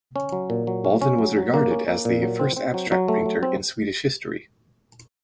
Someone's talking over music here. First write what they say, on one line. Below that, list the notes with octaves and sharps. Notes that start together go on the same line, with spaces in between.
Walden was regarded as "the first abstract painter in Swedish history".
C#4
F#3
A#2
F#3
C#4
C#4
F#3
F#3
A#3
C#4
A#3
A#2
F#3
C4
C4
F#3
F#3
A3
F#3
C4